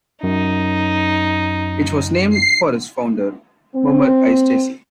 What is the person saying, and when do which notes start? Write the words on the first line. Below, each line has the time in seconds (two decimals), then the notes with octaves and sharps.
It was named for its founder, Homer I. Stacy.
0.23 F#2 D#4
2.30 C7
3.75 C4